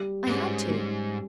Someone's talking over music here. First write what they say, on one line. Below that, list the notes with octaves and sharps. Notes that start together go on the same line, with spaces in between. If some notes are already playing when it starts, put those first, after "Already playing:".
I had to.
Already playing: G3
G#2 C#4 G#4 B4
G3